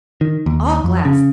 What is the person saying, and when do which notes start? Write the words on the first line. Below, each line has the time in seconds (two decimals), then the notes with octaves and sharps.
"All glass."
0.21 D#3
0.46 D#2
0.84 F2
1.05 C#3